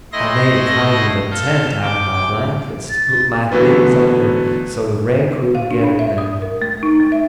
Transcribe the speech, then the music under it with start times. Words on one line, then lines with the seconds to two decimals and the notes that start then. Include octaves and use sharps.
I made a kind of a tent out of my blankets to put my things under so the rain couldn't get at them.
0.13 A2 E4 D#5 C6 A#6
1.31 A4 F5 G6
1.83 G5 D6
2.90 A6
3.52 D3 E3 F#3 A3 B3
5.55 F5
5.71 D4
5.84 A#2
5.99 E5
6.18 D#6
6.42 A#4
6.62 A3
6.83 D#4
7.00 A3
7.12 E5